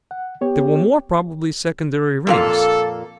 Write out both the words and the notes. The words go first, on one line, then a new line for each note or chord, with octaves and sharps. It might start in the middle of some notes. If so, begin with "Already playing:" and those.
They were more probably secondary rings.
F#5
B3 G4 C#5
F2 A#2 A4 F5